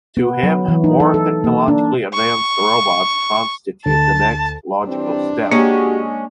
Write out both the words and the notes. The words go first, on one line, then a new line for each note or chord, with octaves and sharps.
To him more technologically-advanced robots constitute the next logical step.
B3
F#3
E3
D#4
A4
A4
A#3
D4
C#6
D2 A5
E3 G3 C4 D4
G#3 A#3 C#4 F#4 G4